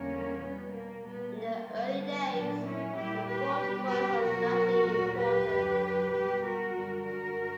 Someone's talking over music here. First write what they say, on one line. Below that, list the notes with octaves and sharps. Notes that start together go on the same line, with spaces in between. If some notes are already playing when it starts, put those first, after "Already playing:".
In the early days, the fort was of strategic importance.
Already playing: E2 D3 G3 A#3 C#4
B2 G3 B3
A#3
A#2 G3 B3
A#3
G2 D3 G3 B3
B3 D4
A#2 F#3 B3 D4
C#4 E4
A#2 G3 E4 G4
G4 B4
B2 G3
G4 B4
B2 F#3 F#4 A#4
A#2 F#3
G4 B4
F#2 D3 F#3
B2 G3 G4 B4
F#4 A#4
F#2 D3 G3
F#4 A#4